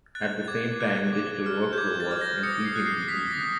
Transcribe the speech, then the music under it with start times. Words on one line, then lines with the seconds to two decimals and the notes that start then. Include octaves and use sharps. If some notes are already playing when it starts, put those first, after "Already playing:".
At the same time digital workflow was increasingly easy.
0.15 F#6 A6
0.48 D6 G#6
0.80 F#6
1.13 D6
1.46 F6
1.73 G6
1.78 D6 G#6
2.00 A6
2.11 F6
2.21 A#6
2.43 D#6 C#7
2.65 C7
2.75 F#6
2.86 C7
3.08 D#6 B6
3.30 A#6
3.41 F#6